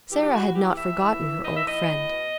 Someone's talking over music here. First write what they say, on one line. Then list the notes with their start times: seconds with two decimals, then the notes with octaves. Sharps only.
Sara had not forgotten her old friend.
0.09 E3 G4
0.22 G4
0.31 A2 F#4
0.53 E3 G4
0.75 A2 E5
0.97 E3
1.19 E3
1.41 A2 D#5
1.54 E5
1.64 A2 D#5
1.86 A2
2.08 B2